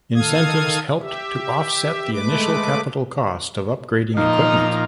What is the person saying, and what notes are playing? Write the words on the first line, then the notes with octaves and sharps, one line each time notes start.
Incentives helped to offset the initial capital cost of upgrading equipment.
D#3 A4 F5 D#6 G#6
G4 E5
G#3 A3 B4 D6
A#2 F3 D#4 A#5